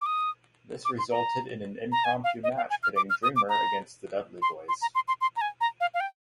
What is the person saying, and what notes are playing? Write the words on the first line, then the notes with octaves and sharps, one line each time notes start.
This resulted in an impromptu match pitting Dreamer against the Dudley Boyz.
D6
D#6
D6
C6
A#5
A#5
G#5
F5
D#5
F5
G#5
F6
D6
F6
D#6
D6
A#5
C6
C6
A#5
C6
C6
C6
A#5
G#5
A#5
F5
F5
G5